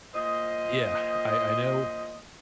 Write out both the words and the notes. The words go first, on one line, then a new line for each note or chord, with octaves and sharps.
Yeah, I I know
A#2 C5 D#5